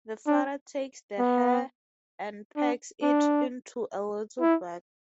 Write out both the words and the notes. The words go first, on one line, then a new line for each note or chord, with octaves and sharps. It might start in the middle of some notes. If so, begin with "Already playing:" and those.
The father takes the hair and packs it into a little bag.
D4
B3
D4
D4
E4